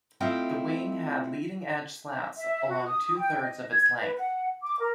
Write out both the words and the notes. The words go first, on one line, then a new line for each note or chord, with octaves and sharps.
The wing had leading edge slats along two-thirds of its length.
A3 C4 E4 F4 D#5 G5
E5
F#4
D#6
G5
D#5
G#6
B4
F#5
D6
A#4